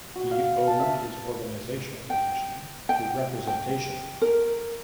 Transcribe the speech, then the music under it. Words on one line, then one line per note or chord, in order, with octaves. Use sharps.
He owed his organizational position to representation.
F#4
F5
A5
E5
G5
G5
G5
A#4